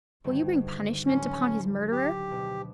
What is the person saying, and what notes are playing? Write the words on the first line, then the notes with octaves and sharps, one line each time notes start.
Will you bring punishment upon his murderer?
D2 G2 D#3
A1 F#3 C#4
G4
B2 F3 D4